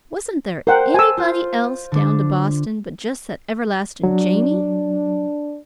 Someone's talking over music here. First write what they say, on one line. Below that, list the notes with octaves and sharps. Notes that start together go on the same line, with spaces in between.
"Wasn't there ANYBODY else down to Boston but just that everlasting 'Jamie'?"
A#4 C5 F#5 G5
G#5 A5 E6
F4 C5
D3 D4
F#3 D4